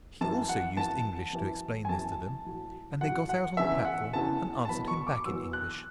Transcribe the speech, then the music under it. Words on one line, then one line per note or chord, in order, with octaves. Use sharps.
He also used English to explain this to them, and they got out on the platform and answered him back in English.
F#2 E3 A5
F#5
F#2 E3 A5
F#2 E3
G#5
F#2 E3 A5
A2 F#3
A2 F#3 F#5
F#5
E2 C#3 E3 E5
F#5
E2 C#3 E3 A5
A5
E2 B2 F#3 B5
C#6
D6
E2 B2 F#3 E6
F#6